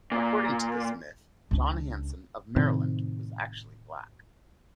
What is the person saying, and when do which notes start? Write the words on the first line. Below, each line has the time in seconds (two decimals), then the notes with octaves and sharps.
According to this myth, John Hanson of Maryland was actually black.
0.12 A#2
1.51 C#2 D4
2.56 A2 C3 D#3 C4